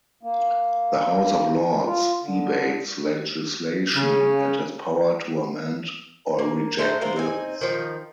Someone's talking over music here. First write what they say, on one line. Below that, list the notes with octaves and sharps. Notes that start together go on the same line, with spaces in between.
The House of Lords debates legislation, and has power to amend or reject bills.
A#3
F4
D3
C#3
A#3
G#3 A3 C5 A#5
G#3 F4 A#4 C5
C4 D#4 G#5
D#3 F3